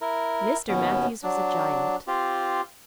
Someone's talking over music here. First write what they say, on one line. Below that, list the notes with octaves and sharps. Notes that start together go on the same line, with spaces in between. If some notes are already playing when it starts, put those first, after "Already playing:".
Mr. Matthews was a giant.
E4 A#4
D#2 B2 B3 C#4
F#3 D4
C4 F4 G4